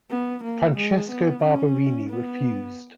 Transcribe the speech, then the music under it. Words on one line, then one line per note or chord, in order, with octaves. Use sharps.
Francesco Barberini refused.
B3
A#3
G#3
B3
C#4
B3